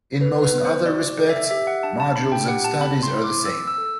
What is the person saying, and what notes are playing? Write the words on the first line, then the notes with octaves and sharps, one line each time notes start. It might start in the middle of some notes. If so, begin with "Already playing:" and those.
In most other respects, Modules and Studies are the same.
A4 B4
B4
B3
C5
F#4 D5
D5
A4
E5
G4 E5
F#5
D4 A5
A5
D4 B5
G5
G4 F#5
A5
C4 B5
C6
E4
D6
C4 E6
E6
A4